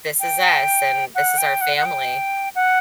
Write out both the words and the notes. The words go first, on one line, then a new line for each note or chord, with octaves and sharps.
this is us, and this is our family.
G5
F#5
G5
F#5
F#5
G5
F#5